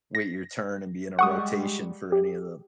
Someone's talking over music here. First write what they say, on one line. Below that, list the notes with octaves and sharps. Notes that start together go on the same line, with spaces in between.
wait your turn and be in a rotation for any of the,
A#6
G3 G#3 F#5 C#6 D#6
G4